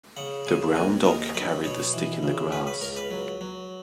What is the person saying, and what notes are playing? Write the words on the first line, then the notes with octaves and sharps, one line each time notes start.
The brown dog carried the stick in the grass.
C#3 F#5
C#3 G#5
D#2 G#5
D#4 A#4
F#3 B4
B2 C#5
E3
C#3
C#4 B4
B4
C#2 A#4
B4
F#3
F#3